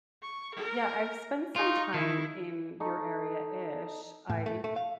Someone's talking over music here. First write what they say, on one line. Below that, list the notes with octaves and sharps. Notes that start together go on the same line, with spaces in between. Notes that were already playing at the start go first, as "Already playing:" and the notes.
Yeah, I've spent some time in your area-ish. I
C#6
A#4
D#4 F4 C#6
D#3 E4
D#4 A4 C#6
A2
A3
A3
F5